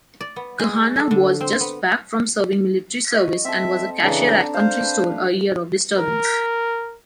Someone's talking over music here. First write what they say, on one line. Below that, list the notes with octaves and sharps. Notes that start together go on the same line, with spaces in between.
Lkhanaa was just back from serving military service and was a cashier at country store a year of disturbance.
D5
B3
G#3
A4
D3
C4
B3
D#5 C#6
C4 A4 E5
C#3 E3 D4 A4 A#5
C5 F5
B4
A#4